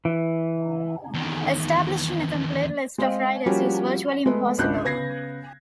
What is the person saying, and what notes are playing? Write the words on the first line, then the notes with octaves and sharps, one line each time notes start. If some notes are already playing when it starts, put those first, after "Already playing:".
Establishing a complete list of riders is virtually impossible.
E3
E2 D#3
G#3 C4 D#5 F5 G5
F3 G3 A#3 C#4 F#4 G4
G#3 A3 B3
G#1 C#2 D4 F#6 G6
C#3 B3 G#6 A#6 C7